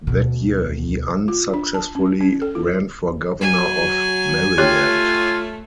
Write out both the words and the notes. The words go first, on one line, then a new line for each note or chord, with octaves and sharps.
That year he unsuccessfully ran for Governor of Maryland.
D2 B2
F4
D4
A5
C#4
C#4
A4
F4
F#3 G#5
A3 F4 G4 C#5 F#6